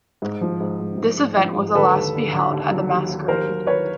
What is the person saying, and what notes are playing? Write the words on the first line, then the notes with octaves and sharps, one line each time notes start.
This event was the last to be held at The Masquerade.
G#2
F3
G#2
G#2
G#2
G#2
F3
G#2
D3 A4 B4
D#2
D3
D3
D#2
F#3
D#2
D#2
D#2 A#4 C5
F#3
D#2 B4 C#5